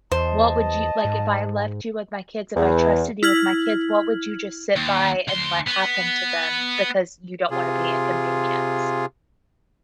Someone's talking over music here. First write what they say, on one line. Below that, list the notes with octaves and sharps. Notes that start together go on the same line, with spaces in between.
what would you like, if I left you with my kids, if I trusted you with my kids, what would you just sit by, and let happen to them because you don't want to be inconvenienced?
E2 C5 D#5 A5
G#2
E2
E4 F6 G#6 F#7
D#2
D2 C6
B3
C3 F4 G#4